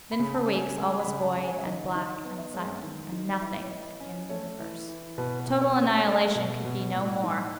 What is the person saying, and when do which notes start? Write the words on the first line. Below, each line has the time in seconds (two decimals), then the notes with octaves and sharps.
Then, for weeks, all was void, and black, and silent, and Nothing became the universe. Total annihilation could be no more.
0.12 B5
0.19 C#3
0.34 A5
0.48 C#4
0.56 G#5
0.78 G#3 G#5
1.00 B5
1.07 C#3
1.22 A5
1.36 C#3
1.43 G#5
1.58 E5
1.66 D#3 D#5
1.95 D#4
2.25 B3
2.38 E5
2.46 D#5
2.54 G#3 C#5
2.83 D#3
3.12 D#4
3.42 E3 E5
3.52 D#5
3.61 C#5
3.71 E3 D#5
4.00 C#4
4.29 A3 C#5
4.59 E3
4.89 E3
5.18 B2 B4
5.40 B4
5.47 B2
5.62 C#5
5.77 C#4
5.84 C#5
6.06 A3 D#5
6.35 B2
6.65 B2
6.94 A2
7.23 D#4